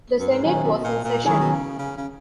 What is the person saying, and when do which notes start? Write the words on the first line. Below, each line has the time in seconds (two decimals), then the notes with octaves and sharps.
The Senate was in session.
0.19 F#2
0.31 G#2
0.43 A#2 D#3 F#3 C#4 G#4
0.64 B2
0.84 A#2
1.04 A#2
1.25 D#3 E3 F#3 C#4 G#4
1.40 B2
1.52 C#3
1.79 C#3
1.98 C#3